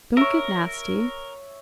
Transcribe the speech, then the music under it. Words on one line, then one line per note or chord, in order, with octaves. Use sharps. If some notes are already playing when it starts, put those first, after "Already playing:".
Don't get nasty.
A#4 C#5 E5